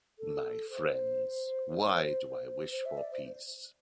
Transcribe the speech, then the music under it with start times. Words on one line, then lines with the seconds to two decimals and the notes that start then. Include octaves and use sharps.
My friends, why do I wish for peace?
0.19 A4
0.70 C5
2.72 C5
2.86 E5
2.97 D5
3.11 C5